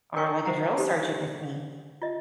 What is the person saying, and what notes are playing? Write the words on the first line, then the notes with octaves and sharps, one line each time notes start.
are like a drill sergeant with me."
A#4 C#5 G5 G#5 A#5 C#6
C5 E5 F#5 A#5
D#4 G4 A4 C5
F4 D#5 E5